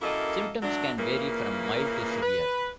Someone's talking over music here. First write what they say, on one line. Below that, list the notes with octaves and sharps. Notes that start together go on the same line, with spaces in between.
Symptoms can vary from mild to severe.
F#2 A#3 E4 A4 D#5
F#3 A3 D4
A#2 C#3 E3 A#3
B4